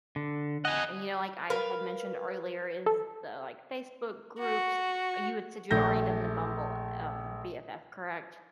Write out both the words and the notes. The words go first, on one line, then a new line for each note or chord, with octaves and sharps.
And, you know, like I had mentioned earlier is the, like, Facebook groups, uh, you had said you'd already done the Bumble, um, BFF, correct?
D3
F2 D#5 F#5 G#5
A#4 B4 F5
A4
F#4
A#1 A3 G6 A#6